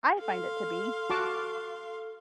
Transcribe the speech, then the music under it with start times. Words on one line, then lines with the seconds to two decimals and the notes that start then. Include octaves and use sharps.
I find it to be.
0.20 A4 F5 C6
1.10 F#4 A5 D6